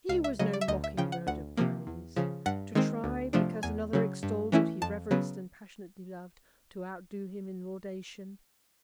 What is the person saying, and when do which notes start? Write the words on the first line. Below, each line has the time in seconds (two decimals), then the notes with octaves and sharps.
He was no mocking-bird of praise, to try because another extolled what he reverenced and passionately loved, to outdo him in laudation.
0.09 C#2 F5
0.24 E5
0.39 C#3 F#3 D#5
0.53 D5
0.61 E5
0.68 D2 D#5
0.84 E5
0.97 C#3 F3 G5
1.12 F#5
1.27 D2 F#5
1.57 C3 F3 A#3
1.87 E2
2.16 C#3 F3
2.46 G2 F#5
2.75 D#3 G#3 C4
3.04 D2
3.33 C3 F3 A3 D4
3.63 E2 G#5
3.93 C#3 F#3
4.23 G2
4.52 E3 A3 C#4 E4
4.82 F2 A5
5.11 C#3 F#3 B3